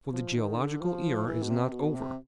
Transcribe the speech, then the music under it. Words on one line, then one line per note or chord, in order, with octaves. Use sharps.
For the geological era is not over.
F3
D#3
D3
F3
E3
B2
C3
B2
C3